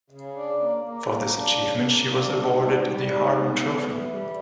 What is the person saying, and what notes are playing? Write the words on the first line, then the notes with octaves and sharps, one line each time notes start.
For this achievement, she was awarded the Harmon Trophy.
C#3
D4
A#3
A#3
A#3
D4
C#3
A#3
D4
G#2
G3
G3
G#2
B3
E3
E3
G3